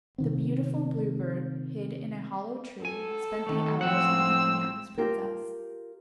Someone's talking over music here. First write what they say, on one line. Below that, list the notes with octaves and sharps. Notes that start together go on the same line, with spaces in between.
The beautiful Blue Bird, hid in a hollow tree, spent the hours in thinking of his princess.
C3 D#3 C4
A4 G#5
D#3 A3
A2 F3 C4 F#5 E6
F4 G4 A#4